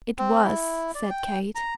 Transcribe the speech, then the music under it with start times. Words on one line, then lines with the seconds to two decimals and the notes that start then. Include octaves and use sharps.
"It was," said Kate.
0.18 C4
0.45 E4
0.95 D5
1.10 G5
1.55 A#5